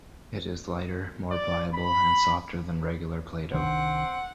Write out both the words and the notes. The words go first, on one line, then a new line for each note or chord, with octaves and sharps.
It is lighter, more pliable, and softer than regular Play-Doh.
D5
B5
C2 D#3 C4 D4 F#5